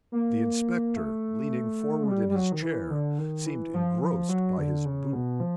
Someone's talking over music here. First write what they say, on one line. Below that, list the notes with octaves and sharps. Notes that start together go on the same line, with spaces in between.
The inspector, leaning forward in his chair, seemed engrossed by his boots.
A#3
A3
G#3
G3
G3
F#3
D#3
E3
D3
D#3
E3
F3
F3
F#3
D3
C#3
B2
F3